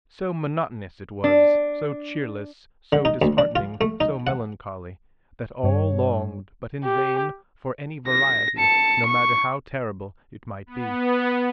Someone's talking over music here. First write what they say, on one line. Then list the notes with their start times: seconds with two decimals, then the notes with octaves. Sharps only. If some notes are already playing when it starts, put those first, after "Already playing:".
So monotonous it was, so cheerless, so disheartening, so melancholy, that all longed, but in vain, for any variety, no matter how terrible it might be.
1.24 D4
2.93 D3
3.05 D#4
3.22 D2
3.38 D4
3.56 F4
3.81 A3
4.00 D#4
4.27 F#5
5.63 G2 C#5
6.84 G4
8.08 A#6
8.58 A5 C#7
9.06 C#6
10.67 B3